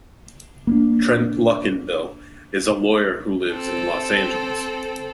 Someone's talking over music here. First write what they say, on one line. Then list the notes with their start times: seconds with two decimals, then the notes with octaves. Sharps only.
Trent Luckinbill is a lawyer who lives in Los Angeles.
0.67 A#3 B3 D4
3.52 C4 A4